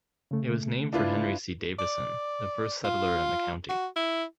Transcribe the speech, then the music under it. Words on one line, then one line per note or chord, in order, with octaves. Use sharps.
It was named for Henry C. Davison, the first settler in the county.
C#3 A3
D4 E4 F4 B4
D5
F4
F#4
E4